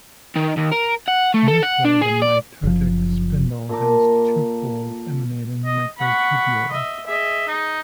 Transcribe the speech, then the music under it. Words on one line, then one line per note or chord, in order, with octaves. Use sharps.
In this way, the mitotic spindle has two poles emanating microtubules.
D#3
D#2
A#4
F#5
A3
A4
F#5
D4
G#4
D5
F#1 F3
A#2 A4 A#5 D6
D#5
F#5 B5 C#6
D#5 E5
G#4 D#5 E5
D#4